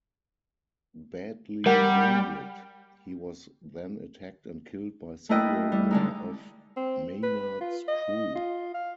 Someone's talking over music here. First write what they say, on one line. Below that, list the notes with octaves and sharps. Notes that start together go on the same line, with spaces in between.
Badly wounded, he was then attacked and killed by several more of Maynard's crew.
G3 A#4 F#5
A3 A#3 E4 B4 D#5 G5
G3 E4
D3 G#3 D#4
C4
B4
F4
D#5
F4
F5